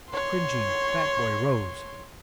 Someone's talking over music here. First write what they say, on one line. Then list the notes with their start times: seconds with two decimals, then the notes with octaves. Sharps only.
The cringing fat boy rose.
0.11 C#5 C6